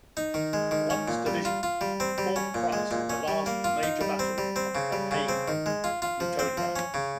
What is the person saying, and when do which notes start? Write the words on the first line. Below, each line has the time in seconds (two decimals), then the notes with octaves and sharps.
Blunt's division fought Price in the last major battle of the campaign at Newtonia.
0.17 D#4
0.34 D#3
0.53 G#3
0.71 D#3
0.90 C#4
1.08 A#2
1.26 G3
1.45 F4
1.63 F4
1.81 G3
2.00 C4
2.18 G3
2.36 C#4
2.54 A#2
2.72 G#3
2.91 A#2
3.10 C#4
3.28 G3
3.46 A#3
3.64 F4
3.83 D#4
4.01 G3
4.19 C4
4.38 G3
4.56 C4
4.75 C#3
4.92 G3
5.11 C#3
5.28 C4
5.48 D#3
5.66 G#3
5.84 F4
6.02 F4
6.20 F3
6.39 C4
6.57 F3
6.76 C#4
6.94 C#3